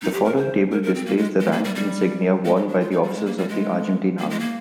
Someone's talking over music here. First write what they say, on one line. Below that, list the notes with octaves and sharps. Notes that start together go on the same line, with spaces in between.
The following table displays the rank insignia worn by officers of the Argentine Army.
D#4
G4
A#4
C5
A#4
A#4
C4
A#3
G#3
G#3
A#3
G3
G3
G#3
G#3
D4
F4
D#4
G3
G#3
A#3
G3
G#3
A#3
G#3
A#3